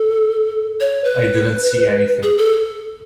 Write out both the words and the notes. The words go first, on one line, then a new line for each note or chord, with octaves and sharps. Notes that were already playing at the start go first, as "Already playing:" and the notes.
I didn't see anything.
Already playing: A4
C#5
B4
G#4
A4